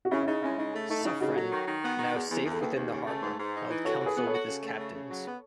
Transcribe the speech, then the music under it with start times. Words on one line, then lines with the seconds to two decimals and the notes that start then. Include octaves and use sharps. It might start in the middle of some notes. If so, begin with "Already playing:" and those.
Suffren, now safe within the harbour, held council with his captains.
0.05 F#4
0.11 C#3 C#4 E4
0.23 E4
0.27 C#3 D#4
0.42 G#3 C#4 E4
0.58 C#3 D#4
0.74 A3
0.89 A3 D#4
1.01 E4
1.05 C#3 D#4
1.20 C#3 D#4 F#4
1.35 F#3 F#4 A4
1.52 D#3
1.67 D#3
1.83 B3
1.98 D#3
2.14 E2
2.30 E2
2.45 E2
2.52 A4
2.61 D#2 G#4 B4
2.76 D#2
2.92 C#3
3.07 A3
3.22 G#2
3.39 G#2
3.54 D#4
3.70 E3
3.85 F#4 A4 C#5
4.01 E3
4.06 G#4 B4
4.16 B3
4.26 A4 C#5
4.32 F#4
4.47 C#3
4.63 A3
4.78 C#3
4.94 C#3
5.09 F#3
5.25 B3